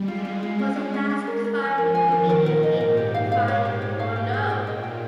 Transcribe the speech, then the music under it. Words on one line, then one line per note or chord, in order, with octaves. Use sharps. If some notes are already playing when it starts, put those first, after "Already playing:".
Was the last crime you committed a hate crime, or no?
Already playing: G3 G#3
F4
F4
F4
C#4
C#4
C#4
C#4
A#4
A#4
F3 G#5
A#4
D#3 G#5
A#4
A#2 A#4
A#4
G#2 D#5
A#4
G#2 G4
F5
A#2 F5
C#5
G#2 G4
C#5
G#2 F5
G4
A#2 G#4
G5
A#2 D#5
G5